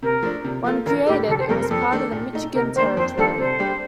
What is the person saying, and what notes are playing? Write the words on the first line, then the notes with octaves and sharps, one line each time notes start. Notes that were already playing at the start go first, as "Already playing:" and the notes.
When created, it was part of the Michigan Territory.
C3 A#4
F3 A3 D4
C3
F3 A#3 F4 A4
A1 A#4
A2 A3 D4 G4 A4
F1 A4
C5
F2 C3 G3 A#4
A#4
F2 A4
D#3 A3 D4
A#2
A3 D#4
C3 A#4
D#3 A#3 D4 C5
F2 C5
D#3 G3 D4 A4
C3 C5
G3 D4 G4